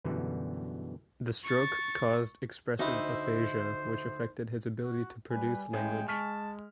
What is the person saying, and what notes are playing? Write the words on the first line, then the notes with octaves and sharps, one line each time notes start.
The stroke caused expressive aphasia, which affected his ability to produce language.
F#2 B2 D3 E3 G3
C#6 A6
D2 D#4 E4 C5
F#4
G3 B4 G#5
A1 G#3 G5
G#3 A5 C#6 F6 B6